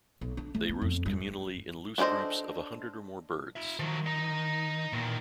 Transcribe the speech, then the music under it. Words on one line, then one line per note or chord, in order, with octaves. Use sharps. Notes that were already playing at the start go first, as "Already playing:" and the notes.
They roost communally in loose groups of a hundred or more birds.
B1
D4
A3
B3
F2
G2
B3 D4 A4 C5 D#5
F4 E5
D#3 F3 F#3
D#5 A#5
E2 A#2 D#3